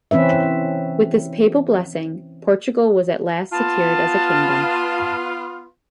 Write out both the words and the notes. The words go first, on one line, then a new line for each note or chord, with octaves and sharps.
With this papal blessing, Portugal was at last secured as a kingdom.
E3 C4 C#4 B4 E5
B3 F4 A5